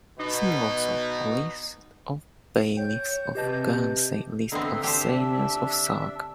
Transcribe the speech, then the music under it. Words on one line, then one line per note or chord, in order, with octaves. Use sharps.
"See also:" list of Bailiffs of Guernsey, list of Seigneurs of Sark.
B2 D#4
C#5 G5 G6
C3 G4 B4 D#5 A5
D3 B3 C4 D#5 E5 A#5
D4 G4 C5